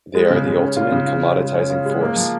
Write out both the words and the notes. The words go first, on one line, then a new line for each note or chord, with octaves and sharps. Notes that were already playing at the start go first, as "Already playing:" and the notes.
They are the ultimate commoditizing force.
G#3
C#3
C#3
C#4
F4
C#3
F4
C#4
G#3
C#4
F4
G#3
A#3
F3